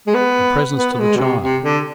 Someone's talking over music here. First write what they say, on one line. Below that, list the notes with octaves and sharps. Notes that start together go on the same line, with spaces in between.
The presents to the child!
G#3
B3
B3
B3
G#3
B2
C3
C3
D3